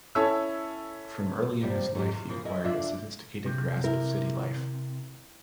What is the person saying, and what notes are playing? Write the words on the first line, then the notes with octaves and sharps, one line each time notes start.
From early in his life he acquired a sophisticated grasp of city life.
C#4 E4 A4 C#5 E6
C3 F3 G3
G#2 C3 G4
E2
E3 F3 A#3
F2 E4 D#5
D4 F4 E5
C3
E4 A#4